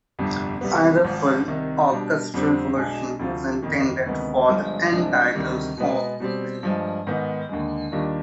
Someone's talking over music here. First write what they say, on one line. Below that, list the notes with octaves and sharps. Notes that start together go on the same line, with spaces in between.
Another full orchestral version was intended for the end titles of the film.
G1 F2 C3 G3 D4
C2 C3 G3 B3
G#1 G#2 F3
C2 C3 D#3
B2 G3 D4
F2 D3 G3 C4
B1 B2 G#3 D4 G#4
D2 C3 F3 C4 F4
G1 F2 D#3
D2 C3 D#3 G#3 B3
G1 G2 F3 G#3
C2 C3 F3 G#3 D4
D2 C3 D#3 G3
B2 G#3 B3
B2 G3 C4
G2 F3 G#3
G#2 D#3 B3 D#4
D#2 D3 G#3
D#2 D#3 G3 D4 F4